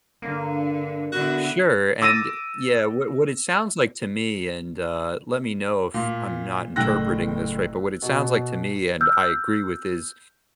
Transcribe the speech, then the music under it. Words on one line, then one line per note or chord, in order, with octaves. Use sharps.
Sure, and yeah, what what it sounds like to me, and, uh, let me know if I'm not interpreting this right, but what it sounds like to me, and I agree with is,
G2 D3 A#3
D3 B3 E4 F#4
D6 E6 A6 A#6 D#7
A#2
F#1 A2 G5 E6 F#6 A#6
B2
E6 F6 G6